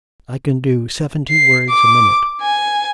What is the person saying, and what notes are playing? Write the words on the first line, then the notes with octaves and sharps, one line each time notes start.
I can do seventy words a minute.
C7
D6
G#5